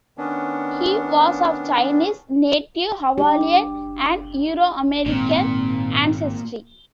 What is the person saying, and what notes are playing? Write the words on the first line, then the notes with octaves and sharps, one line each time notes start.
He was of Chinese, Native Hawaiian, and Euro-American ancestry.
D#3 B3 C#4 D4
D4 G4
G#1 A#2 C4